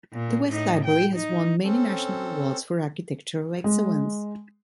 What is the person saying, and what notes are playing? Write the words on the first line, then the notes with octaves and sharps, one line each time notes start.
The West Library has won many national awards for architectural excellence.
A#2
A2 D#4
G5
D#4
C4 C#4 A4
G#3